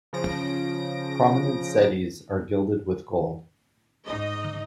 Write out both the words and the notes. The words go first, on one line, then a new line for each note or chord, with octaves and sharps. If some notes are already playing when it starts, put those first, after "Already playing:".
Prominent zedis are gilded with gold.
C#3 F3 A#6 D7
G#2 D#4 D#5